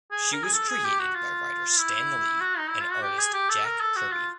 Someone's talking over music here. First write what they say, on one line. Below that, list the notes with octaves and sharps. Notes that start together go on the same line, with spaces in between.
She was created by writer Stan Lee and artist Jack Kirby.
G#4
A#4
G#4
A4
G#4
G4
F#4
F4
E4
F#4
D#4
E4
F4
F#4
G4
G#4
G4
A4
A#4
A4
F#4
F4